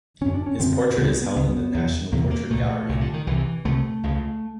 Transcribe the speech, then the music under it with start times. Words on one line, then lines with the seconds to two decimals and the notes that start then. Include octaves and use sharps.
His portrait is held in the National Portrait Gallery.
0.21 D3 C#4
0.26 F#2
0.34 D4
0.46 C#4
0.59 F#2 D3 C4
0.98 C#2 C#3 B3
1.09 A#3
1.21 B3
1.36 C#2 C#3 B3
1.74 E2 C3
2.12 E2 C3 A#3
2.21 B3
2.30 A#3
2.51 C2 A#2 A3
2.89 C2 A#2
3.01 D3
3.13 D#3
3.27 C2 C3 E3
3.65 C2 C3 A3
4.03 C#2 C#3